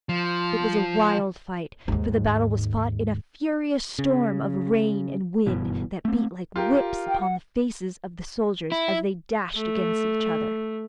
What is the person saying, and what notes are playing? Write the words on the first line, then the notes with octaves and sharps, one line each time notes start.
It was a wild fight, for the battle was fought in a furious storm of rain and wind that beat like whips upon the faces of the soldiers as they dashed against each other.
F3
D#2 G#2
C#3
F#1 G2 B2 E3
A3 C4
F4 G4 A#4
G5
F#5
E4
A3